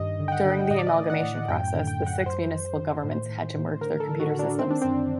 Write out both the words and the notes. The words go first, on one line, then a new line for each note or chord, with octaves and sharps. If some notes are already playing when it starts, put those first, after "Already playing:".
During the amalgamation process, the six municipal governments had to merge their computer systems.
Already playing: G2 D#3 D#5
D3
G5
F#5
D3
A2 D#5
D5
D#5
A2
F#5
A2
F#2 G5
G5
D3
G5
F#2
F#5
F#2 C5
F#2
D#3
A2
A2
A2
D3 A#4
A4
D3
F#4
D3
D4
D#3 C4
D4
F#2 C4